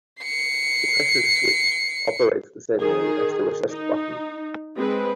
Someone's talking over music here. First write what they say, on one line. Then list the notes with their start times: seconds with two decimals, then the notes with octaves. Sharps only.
This pressure switch operates the same way as the recessed button.
0.22 C7 C#7
2.79 D#3 G#4
3.70 D#4
4.76 G#3 C4 B4